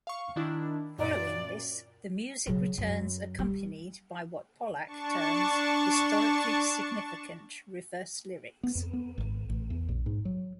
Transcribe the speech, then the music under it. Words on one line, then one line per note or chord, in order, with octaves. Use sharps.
Following this, the music returns accompanied by what Pollack terms "historically significant" reverse lyrics.
F5 C#6
D#3 D4 E4
F#2 A#2 D5
C#3 F#3
F#2
G3
D4 A5 C#6
B3
F2
B3
G#1
A1
E2
A#1
G#2
F#3